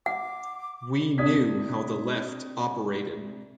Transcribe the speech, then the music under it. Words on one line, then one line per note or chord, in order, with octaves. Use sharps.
We knew how the Left operated.
F#5 D6
C3 D4 D5 D#6 G#6 B6